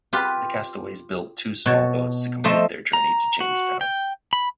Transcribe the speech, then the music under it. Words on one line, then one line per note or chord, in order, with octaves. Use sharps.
The castaways built two small boats to complete their journey to Jamestown.
F4 G4 B4
B2 C#5 A5
F3 A3 C5 D#5 E5
A#5
F#4
G5
B5